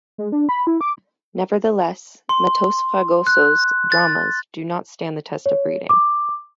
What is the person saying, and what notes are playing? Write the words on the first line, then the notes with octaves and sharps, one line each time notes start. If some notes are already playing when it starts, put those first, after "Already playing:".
Nevertheless, Matos Fragoso's dramas do not stand the test of reading.
G#3
D4
B5
E4
D6
C6
F#6
A6
C#5
D6